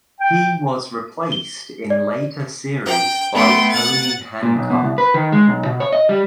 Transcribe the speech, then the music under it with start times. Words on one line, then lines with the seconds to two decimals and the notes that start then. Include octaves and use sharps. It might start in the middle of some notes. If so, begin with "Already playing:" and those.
He was replaced in later series by Tony Hancock.
0.21 G5
1.32 G7
1.90 D5
2.85 G5
3.33 A3 B3 G5 C6
3.70 F#5 A6
4.43 A#2
4.56 B1
4.70 B2
4.83 C2
4.98 B4
5.14 D#3
5.32 G#3
5.47 B1
5.66 B2
5.80 C#5
5.93 D#5
6.09 G3